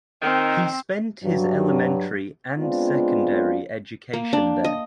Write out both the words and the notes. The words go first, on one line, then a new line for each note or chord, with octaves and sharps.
He spent his elementary and secondary education there.
A#2 D#3 C4
G2 F#3
G#3 B3 C4 D4 F4
A#3
D4
D#5